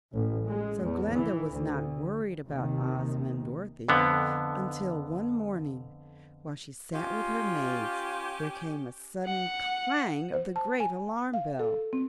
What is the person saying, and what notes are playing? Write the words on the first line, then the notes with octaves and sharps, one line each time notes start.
So Glinda was not worried about Ozma and Dorothy until one morning, while she sat with her maids, there came a sudden clang of the great alarm bell.
A1
G#3
E2
E3
D2
D#2 C3 D#3
F2 D3 B3
C#4 F4 G4
F#5
C5
A5
G#5
F5
A4
C4